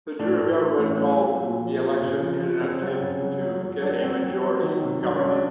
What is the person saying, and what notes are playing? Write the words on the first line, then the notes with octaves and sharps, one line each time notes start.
The Drew government called the election in an attempt to get a majority government.
A2 D4
A2
E3
A2 C#4
F#3
F#3
A#2
F3
A#2
C#3
F3
F3
C#3 C4
F#3
C#3
F#3
F#3
F#3
F#3 D4
F#3 C4
F#3
F#3
D#3
C3
F#3 D4
C#4
F#3
D4